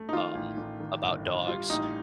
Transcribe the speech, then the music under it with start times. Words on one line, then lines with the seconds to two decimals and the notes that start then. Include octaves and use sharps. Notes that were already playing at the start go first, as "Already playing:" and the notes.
um, about dogs,
Already playing: A3
0.09 D#4
0.13 D#3 F4
0.35 A1
0.57 A1
0.80 D#3
1.02 G1
1.25 G1
1.47 G3 F4
1.70 A1 D#4